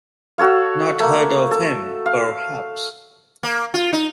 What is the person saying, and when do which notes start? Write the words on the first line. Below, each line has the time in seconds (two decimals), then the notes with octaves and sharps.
Not heard of him, perhaps?
0.38 F#4 A4 C#5 F5
1.00 A3 A#3
1.51 A4
2.06 F5
3.43 A#3
3.74 F4
3.93 D#4